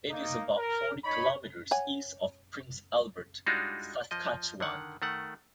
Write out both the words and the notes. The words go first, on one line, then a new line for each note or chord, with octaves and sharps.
It is about forty kilometres east of Prince Albert, Saskatchewan.
A#3 D#4
A#4
D#4 C#5 B5
C#5 F#5 G#5
G3 G#3 D4 D#4 F4 F#4
F3 D#5
D3 D#3 F#5
D#3 A3 F#5